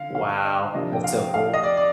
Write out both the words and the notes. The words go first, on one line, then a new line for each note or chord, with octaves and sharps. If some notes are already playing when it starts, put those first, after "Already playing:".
Wow. That's so cool.
Already playing: D3 F5
F5
D#5
C3 F3 A#3 D4 D#5
G5
F5
F5
D#5
D5
D5